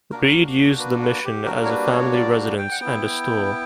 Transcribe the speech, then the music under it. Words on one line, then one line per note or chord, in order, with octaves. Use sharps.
Reed used the Mission as a family residence and a store.
A#3 D4 F#4 A#4
B4
B4
G4
G3 A#3 D4 F#4 A#4
C#5
B4
C#5
D5
G5
F#5
B3 E4 G5